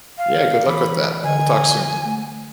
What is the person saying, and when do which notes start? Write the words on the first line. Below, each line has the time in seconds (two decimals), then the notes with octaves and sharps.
Yeah. Good luck with that. We'll talk soon.
0.18 F5
0.67 E3 B5 D6
1.24 D3 D#5 G#5
2.05 A3